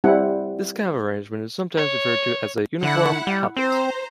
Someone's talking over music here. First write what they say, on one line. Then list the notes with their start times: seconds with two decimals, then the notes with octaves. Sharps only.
This kind of arrangement is sometimes referred as a "uniform palette".
0.04 G3 C4 E4 F#5
1.77 C#5
2.83 D3 E4 F#5
3.27 G3
3.57 C4 C5 A#5